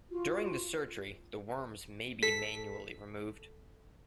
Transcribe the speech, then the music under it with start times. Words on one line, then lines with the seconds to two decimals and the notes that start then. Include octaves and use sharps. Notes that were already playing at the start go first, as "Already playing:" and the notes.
During the surgery the worms may be manually removed.
0.10 F4 F#4
2.23 A4 B6